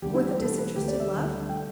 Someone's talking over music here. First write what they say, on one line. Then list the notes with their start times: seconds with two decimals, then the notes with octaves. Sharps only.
"With a disinterested love?"
0.02 E2 D3 G3 G4
0.14 E4
0.27 G4
0.39 E2 B2 A3 A4
0.57 B4
0.76 D2 D3 A3 G4
0.88 D5
1.00 E5
1.12 D2 D3 G3
1.49 D3 A3 G5